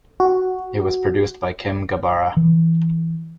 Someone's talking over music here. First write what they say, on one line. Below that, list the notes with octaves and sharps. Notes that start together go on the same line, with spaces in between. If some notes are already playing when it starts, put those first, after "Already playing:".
It was produced by Kim Gabara.
F#4
E3